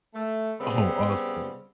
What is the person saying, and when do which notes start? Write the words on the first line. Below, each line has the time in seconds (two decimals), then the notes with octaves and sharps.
Oh, awesome.
0.14 A3
0.60 C#3 G3 B3 C4